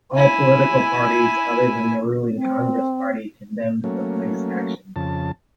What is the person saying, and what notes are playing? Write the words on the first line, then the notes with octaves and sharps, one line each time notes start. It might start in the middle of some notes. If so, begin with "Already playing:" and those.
All political parties, other than the ruling Congress Party, condemned the police action.
E4 G#5
C4
F#3 A3 A#3 C#4
F2 C#3 A5